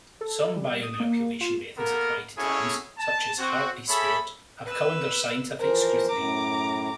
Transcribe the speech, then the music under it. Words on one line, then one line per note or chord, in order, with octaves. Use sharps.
Some biomanipulation methods applied to dams such as Hartbeespoort have come under scientific scrutiny.
A4
G3
D#6
A#3
F4
A#3 B3 A4 A#4
C#4 E4 F#4 G#4 A4 C#5
A5
C4 F#4
G#4 A4 C#5 E5 B5
B4 E6
E3 F3 A#4 C5
F#2 A2 A#5 D6